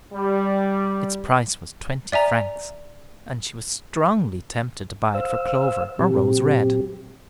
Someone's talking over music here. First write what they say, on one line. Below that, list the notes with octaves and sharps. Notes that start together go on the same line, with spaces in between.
Its price was twenty francs, and she was strongly tempted to buy it for Clover or Rose Red.
G3
D5 E5 G#5 A#5
C5 F5 E6
A#2 F#3 C4 G4